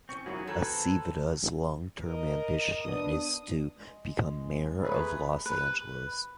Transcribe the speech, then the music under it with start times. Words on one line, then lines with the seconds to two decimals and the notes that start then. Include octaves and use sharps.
Aceveda's long-term ambition is to become Mayor of Los Angeles.
0.09 C4 C#4 C#6 C#7
0.26 F#2 D#3 A#3 E4 F#4 G#4
0.47 C4 A4 B4 A#5 G6 G#6
2.04 A#4 D#5
2.83 B3 D4 D#6
3.77 G#3
4.83 A3 G#4 B4
5.46 B4